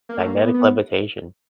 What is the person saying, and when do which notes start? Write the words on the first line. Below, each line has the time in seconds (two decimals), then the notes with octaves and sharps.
Magnetic levitation.
0.09 A#3
0.19 A3
0.25 A#3
0.42 B3
0.54 B3